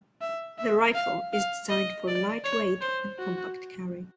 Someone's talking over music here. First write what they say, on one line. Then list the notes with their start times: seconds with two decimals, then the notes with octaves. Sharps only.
The rifle is designed for light weight and compact carry.
0.21 E5
0.58 E5
0.95 F5
1.33 F5
1.70 D#5
2.07 D5
2.44 C#5
2.81 C5
3.19 F#4